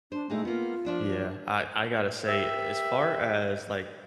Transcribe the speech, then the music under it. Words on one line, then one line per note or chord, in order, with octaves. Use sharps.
Yeah, I I gotta say, as far as, like,
D4 C5
A#2 G#3 A3 D#4
A#3 B3 F4
F3 D4 E5
G4 A#4 B4 E5